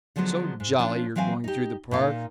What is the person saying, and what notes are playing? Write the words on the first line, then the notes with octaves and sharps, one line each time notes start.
"So jolly you're going through the Park."
D3 F3 F#3 G#3 B3
G#2
F3 C#4 D4 F4
E3 F#3 C4 F5 G#5
D#4 G4
A#2 D#4 F5